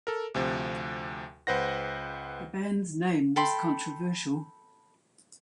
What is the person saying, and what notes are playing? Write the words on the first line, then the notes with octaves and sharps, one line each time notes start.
The band's name was controversial.
A4 A#4
D2 C3 F3
C#2 B4 C5 F#5 A#6
A4 G5 B5 C6